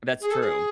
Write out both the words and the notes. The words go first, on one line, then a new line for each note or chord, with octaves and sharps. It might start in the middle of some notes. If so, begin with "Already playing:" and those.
That's true.
G#4
A4
G#4